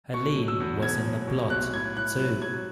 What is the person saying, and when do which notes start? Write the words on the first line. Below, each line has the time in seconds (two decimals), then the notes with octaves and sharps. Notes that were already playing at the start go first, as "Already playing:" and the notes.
Helene was in the plot, too.
0.13 B2 C#6
0.36 F#3
0.48 E6
0.60 E2
0.82 B2 G#6
1.05 F#3
1.27 B2
1.50 B1 F#6
1.73 A2 G#6
1.97 A2 F#6
2.19 F#3 F#6
2.42 F#3 G#6